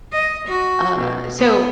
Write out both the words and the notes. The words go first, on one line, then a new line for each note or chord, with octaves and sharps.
uh So
D#5
F#4
B2
B3